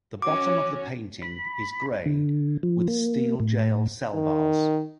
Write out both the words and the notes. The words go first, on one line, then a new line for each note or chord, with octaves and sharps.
The bottom of the painting is gray with steel jail cell bars.
C#4 F#4 D6
B5
D3
F3
A#3
A2
D#3